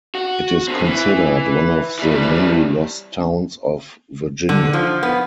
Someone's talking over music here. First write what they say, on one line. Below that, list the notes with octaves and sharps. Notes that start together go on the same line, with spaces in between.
It is considered one of the many lost towns of Virginia.
F#4
D3 C4
E3
E3 G3
D3
F3
B3